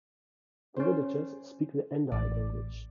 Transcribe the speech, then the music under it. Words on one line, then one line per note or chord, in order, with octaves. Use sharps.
The villagers speak the Andi language.
C#4 C5
A1 D5